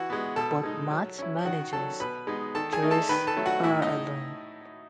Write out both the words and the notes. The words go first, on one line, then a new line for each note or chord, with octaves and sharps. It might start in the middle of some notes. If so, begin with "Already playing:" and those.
But Matt manages to raise her alone.
Already playing: E3 F#4 F#5
G#3 B3
B2 A4 A5
G#3 D#4
F#3
C#4 E4
D#3 F#4 F#5
F#3 C#4 A4 A5
B2 B4 B5
G#3 B3 D#4
D#3 A4 A5
G#4 G#5
A3 D#4
A4 A5
D#3 B4 B5
A4 A5
F#3 A3
F#4 F#5
A2 E4 E5
D#4 D#5